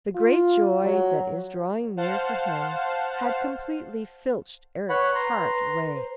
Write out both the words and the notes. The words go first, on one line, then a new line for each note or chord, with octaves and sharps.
The great joy that is drawing near for him had completely filched Erec's heart away.
F4
F#3
C5 F5 F#5 A5
B4 C#5 F#5 B5
A#5 C6
B4
C5